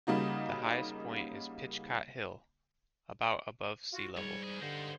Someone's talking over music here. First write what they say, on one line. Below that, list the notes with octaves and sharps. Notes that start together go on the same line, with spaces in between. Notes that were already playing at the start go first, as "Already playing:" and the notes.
The highest point is Pitchcott Hill, about above sea level.
C#3 G3 A#3 D#4 F#4
F4 F#4
C#2 G#2 G3 C#5
E2 G#4
G2 D3 D#4 C5